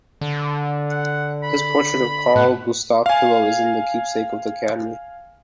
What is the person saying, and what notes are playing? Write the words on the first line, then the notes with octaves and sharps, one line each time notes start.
His portrait of Carl Gustaf Pilo is in the keepsake of the Academy.
D3
F#5
B5
A2 F#5
F5 G#5